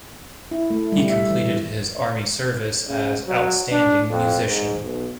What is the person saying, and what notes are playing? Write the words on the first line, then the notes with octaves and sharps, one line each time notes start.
He completed his army service as "outstanding musician".
E4
A3
G3
E5
E3
C#3
F#3
D4
F2
G#2
B1